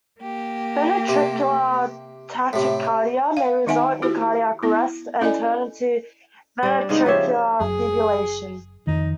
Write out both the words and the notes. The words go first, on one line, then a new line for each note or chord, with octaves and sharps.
Ventricular tachycardia may result in cardiac arrest and turn into ventricular fibrillation.
A#3 G4
C3
A2 C3
F5
D#3 B3 D#4 E5 F#5 G#5
E4 F#4 G4 C5
B3 E4
C#4 E4 A4 D5 D#5 G#5
G3 D4
C#3 G#3 B3 D#4
F3 G4 C#5 E5
F#1 F#2 G#4
F2 D#3 D#4